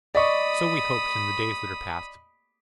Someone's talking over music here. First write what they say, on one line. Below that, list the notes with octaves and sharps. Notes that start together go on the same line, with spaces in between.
So we hoped in the days that are past.
D5 D#5 B5 C#6 D#6